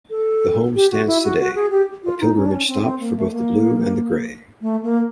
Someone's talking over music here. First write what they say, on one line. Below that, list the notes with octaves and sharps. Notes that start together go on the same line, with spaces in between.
The home stands today, a pilgrimage stop for both the Blue and the Grey.
A4
G4
F#4
E4
F#4
F#4
G#4
G4
F4
D#4
C#4
D4
C#4
C4
C4
A#3
A3
A#3
A3
A#3